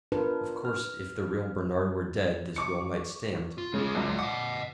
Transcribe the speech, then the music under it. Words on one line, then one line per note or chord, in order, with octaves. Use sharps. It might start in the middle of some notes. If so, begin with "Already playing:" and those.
Of course, if the real Bernard were dead this will might stand.
D4 F4 A#4 B4
F6
C#6 D6 C#7
F4
C#3 G#3 F4
A#1 F#2
D#5 F#5 D6